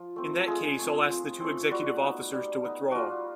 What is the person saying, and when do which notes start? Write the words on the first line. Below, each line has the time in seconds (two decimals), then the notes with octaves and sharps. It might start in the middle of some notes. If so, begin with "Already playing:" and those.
In that case I'll ask the two executive officers to withdraw.
Already playing: F3
0.16 A3 C4
0.40 A4
0.47 F3 G#3 G#4
0.79 A3 C4
1.10 F3
1.40 A3 C4
1.71 G3 F#4
2.02 B3 D#4
2.33 G3
2.65 B3 D#4
2.91 G3 F4 F#4